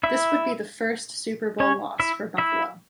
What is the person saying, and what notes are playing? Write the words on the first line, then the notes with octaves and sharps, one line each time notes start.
This would be the first Super Bowl loss for Buffalo.
E4 E5
C#4 C#5
E4 E5
E4 E5